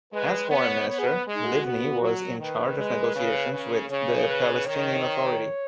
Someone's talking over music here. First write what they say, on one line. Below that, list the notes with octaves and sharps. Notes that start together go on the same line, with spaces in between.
As Foreign Minister, Livni was in charge of negotiations with the Palestinian Authority.
G#3 B4
B3 C#5
B3 C#5
G#4
B4
G#3
D#4
F#4
B3
F#3
D#3 B4
G#3
C#3
C#3
C#3 C#5
B4
B4
D#3 C#5
C#5